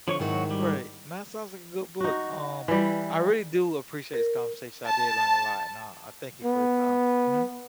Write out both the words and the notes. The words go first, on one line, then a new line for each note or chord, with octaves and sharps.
Right, and that sounds like a good book, um, I really do appreciate this conversation. I did learn a lot, nah, I thank you for your time, mhm,
D3 F3 C#5 C#6
G#2 D#3 F#3 E4 F#4
G3
D#4 F#4
E3 G3
A#4
A5
B3